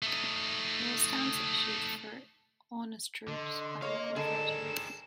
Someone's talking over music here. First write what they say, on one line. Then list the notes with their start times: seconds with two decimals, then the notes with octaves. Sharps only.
There were stamps issued for Aunus troops by local authorities.
0.02 A3 D#4
3.28 D3 D#5 C6
3.82 A#3 C#5 F5
4.16 D3 G#4 A#4 E7